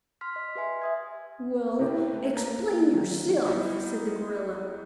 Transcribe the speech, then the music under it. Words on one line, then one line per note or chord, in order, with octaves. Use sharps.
"Well, explain yourself," said the gorilla.
C6 F6 B6
D#5
G4 B4 E5 G#5 C6
E5 D#6 G#6
C3 B3 E4 G4
A3 B4
A#3 B4 A#5
D#3 F#3
G3 B3 D#4 E4